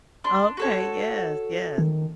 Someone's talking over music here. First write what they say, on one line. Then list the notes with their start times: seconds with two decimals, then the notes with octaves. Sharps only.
Oh, okay, yes, yes, becau
0.24 D4 C6
0.57 F#4 A4 C#5
1.78 D#3